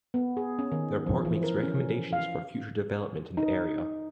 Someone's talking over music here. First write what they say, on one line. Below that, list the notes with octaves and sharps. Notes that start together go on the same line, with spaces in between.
The report makes recommendations for future development in the area.
B3
G#4
C#4
D#3
F3
E3
A#4
C#4
F5
D#4